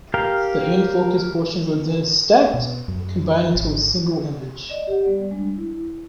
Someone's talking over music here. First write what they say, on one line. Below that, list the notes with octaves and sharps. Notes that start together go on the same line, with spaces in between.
The in-focus portions are then "stacked"; combined into a single image.
G4 A#4 F5
B2
F#2
G#1
D5 D#5
G4 F#5
G3 B3 D5
G3 G#3 D4
E4